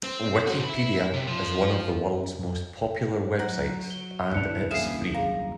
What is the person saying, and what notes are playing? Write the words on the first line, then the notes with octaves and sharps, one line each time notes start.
Wikipedia is one of the world's most popular websites, and it's free!
C4
F#4 C5
E5 B5
C3
F3
F#3 F#5 A#5
G7
D#1 C2 D4 E4 F#6 C#7 F7
F#2 A#2 E4 G#4 F5 C7 E7
G#4 F5 A#5